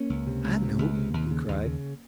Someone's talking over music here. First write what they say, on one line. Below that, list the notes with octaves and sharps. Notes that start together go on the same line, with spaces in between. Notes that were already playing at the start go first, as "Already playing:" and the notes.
"I know," he cried.
Already playing: A#3 C#4
C#2
C3
C#2
C3
C#2
C3
D#2
C#3
D#2
C#3